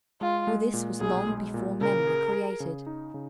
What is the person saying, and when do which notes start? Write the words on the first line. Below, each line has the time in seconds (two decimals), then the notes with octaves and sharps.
For this was long before men were created.
0.21 G#3 F4
0.47 G#3
0.74 A#2
1.00 B1 G#4
1.27 G#3
1.54 A#2
1.81 C#3 A#4
2.07 G#4
2.33 G#4
2.60 C#3
2.87 D#4
3.14 C#3